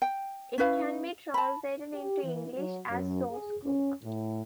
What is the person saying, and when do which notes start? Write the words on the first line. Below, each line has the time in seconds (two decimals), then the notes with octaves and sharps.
It can be translated into English as "sauce cook".
0.02 G5
0.58 C#4 E4 B4 F5
1.34 A5 B5
1.93 G4
2.23 E3
2.56 F#3
2.90 F#2
3.30 G#4
3.64 C#4
4.03 A2